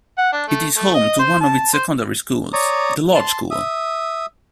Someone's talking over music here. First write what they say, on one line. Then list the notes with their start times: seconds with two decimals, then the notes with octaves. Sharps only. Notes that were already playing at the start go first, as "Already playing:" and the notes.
It is home to one of its secondary schools, The Lodge School.
0.18 F#5
0.33 D4
0.48 A3
0.77 A3
0.94 D#5
1.19 C5
1.41 A5
1.74 C5
2.53 C#5 D5 A#5 D#6
3.15 A5 C6
3.51 E5 D#6